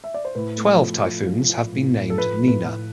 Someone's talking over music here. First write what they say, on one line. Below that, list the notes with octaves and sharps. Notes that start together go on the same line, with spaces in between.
Twelve typhoons have been named Nina.
E5
D5
C5
A2 B4
A3
F3
F3
F3
F3
A2
A2
A4
F3 B4
A2
B4
A2